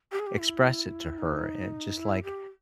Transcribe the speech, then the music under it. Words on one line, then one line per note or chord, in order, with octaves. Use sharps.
express it to her, eh, just like,
G4
G#4
G4
E4
D#4
E4
G4